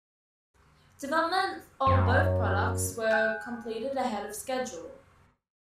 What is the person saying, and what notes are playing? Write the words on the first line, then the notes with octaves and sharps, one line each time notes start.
Development of both products were completed ahead of schedule.
F#2
G#5 F#6 G6